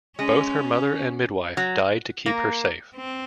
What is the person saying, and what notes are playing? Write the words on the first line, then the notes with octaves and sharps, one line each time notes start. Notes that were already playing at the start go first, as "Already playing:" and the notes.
Both her mother and midwife died to keep her safe.
G#3 C#4
F#3
A#3
C4